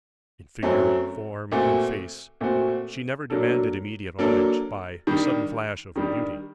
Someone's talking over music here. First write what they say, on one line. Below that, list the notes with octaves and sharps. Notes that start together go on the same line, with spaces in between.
In figure, form, and face she never demanded immediate homage by the sudden flash of her beauty.
F#2 F#3 A3 C4
A#2 A3 C4 F#4
A#2 A3 C4 F#4
F#3 A#3 D4 A4
F#3 A#3 D4 A4
D#3 G3 D4
D#3 G3 D4